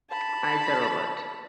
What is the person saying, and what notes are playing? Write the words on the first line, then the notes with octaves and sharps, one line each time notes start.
Eyes are ovate.
A5 B5